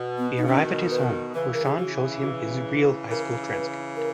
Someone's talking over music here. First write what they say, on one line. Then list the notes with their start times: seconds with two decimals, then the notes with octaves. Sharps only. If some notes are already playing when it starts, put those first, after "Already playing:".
They arrive at his home, where Shaun shows him his real high school transcript.
Already playing: B2
0.18 B3
0.38 C#3 D#4
0.47 B2 D#3 C#4
0.91 B4
1.29 D#3
1.34 C#3 E3 B4
1.53 A#4
1.65 G#4
1.77 F#4
2.22 F#4
2.87 G#4
3.08 C#3 E3 A#4
3.52 B4
3.96 A#4